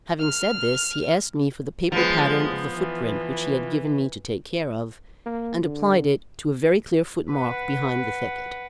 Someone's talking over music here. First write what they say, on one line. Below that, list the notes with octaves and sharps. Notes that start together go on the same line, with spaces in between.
Having said this, he asked me for the paper pattern of the footprint which he had given me to take care of, and applied it to a very clear footmark behind the thicket.
F6
F3 G#3 B3
E3
A#3
D3
B4 F#5